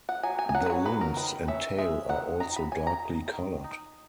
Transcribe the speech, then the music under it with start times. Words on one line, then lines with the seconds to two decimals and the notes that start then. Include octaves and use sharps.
The limbs and tail are also darkly coloured.
0.09 F#5
0.23 F#3 G#5
0.39 G#5
0.49 G#5
0.55 F#3 F#5
0.66 B4
0.70 C#5
0.85 F#3 B4
1.01 A#4
1.17 D#3 B4
1.48 C#4 E5
1.78 G#3 E5
2.09 D#3 F#5
2.40 D#3 A#5
2.56 B5
2.72 C#4 G#5
2.87 A#5
3.03 D#3
3.33 D#3
3.64 D#4